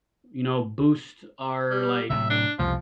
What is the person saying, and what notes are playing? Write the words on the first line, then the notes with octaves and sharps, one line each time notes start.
"you know, boost our, like,
G3
A2 C3 F#3 E5
D4
C2 F2 C#3 F3